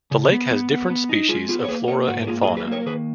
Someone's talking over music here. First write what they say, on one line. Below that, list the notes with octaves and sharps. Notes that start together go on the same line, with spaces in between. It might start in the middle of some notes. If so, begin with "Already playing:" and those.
The Lake has different species of flora and fauna.
C#3
B3
B3
B3
B3
D#4
G#3 F4 G#4
B3 F4 G#4
C#5
A#3 G#4 B4
A#3 A#4 C#5
G#2 F#4
A#4
A#3 F4 G#4
F4 G#4
F#3
G#4 B4
A#3 A#4 C#5
A#4
D#3 G#4 B4